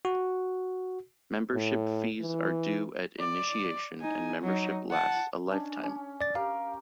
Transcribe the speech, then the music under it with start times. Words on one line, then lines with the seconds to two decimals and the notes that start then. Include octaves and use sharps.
Membership fees are due at initiation and membership lasts a lifetime.
0.05 F#4
1.53 A2
2.21 E3
3.19 D5
4.00 D#4 G#5
4.42 F#3 D#4
4.90 F#5 A5
5.51 C#4 D4
5.83 C#4
6.21 D5 A6
6.35 G4 A#4 F5